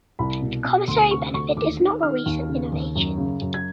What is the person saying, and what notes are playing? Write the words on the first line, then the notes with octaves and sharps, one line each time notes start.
The commissary benefit is not a recent innovation.
C2 B5
B2
B2
D2 C6
C3 C#6
D2 C#6
D#2 D6
D#3
D#3 F6
D#2
C#3
D#2
F#2
C#3
F#2
G#6